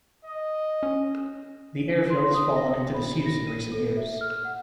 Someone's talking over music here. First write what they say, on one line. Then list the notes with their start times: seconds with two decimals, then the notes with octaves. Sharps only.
The airfield has fallen into disuse in recent years.
0.25 D#5
0.83 C#4
2.10 C6
2.34 D#6
2.56 A#6
2.94 B5
3.26 A#6
3.47 D#7
3.72 A4
3.97 E5
4.21 F6
4.45 F#5